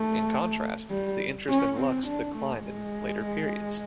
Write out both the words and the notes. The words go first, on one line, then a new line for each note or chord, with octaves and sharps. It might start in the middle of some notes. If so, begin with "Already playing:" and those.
In contrast, the interest in Lux declined in later periods.
Already playing: A3
G3
C#4
C4
D4
A3
G#3